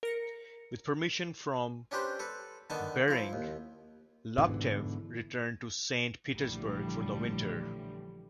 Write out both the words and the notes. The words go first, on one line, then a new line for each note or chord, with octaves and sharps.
With permission from Bering, Laptev returned to Saint Petersburg for the winter.
A#4 A#6 C#7
C#4 D4 G4 B4 C5
A4 B4
D3 D#3 B3 A5
F3 E4
D#2
G#2 B2 D3 E3
A#1 A2 D3 E3 F3 G3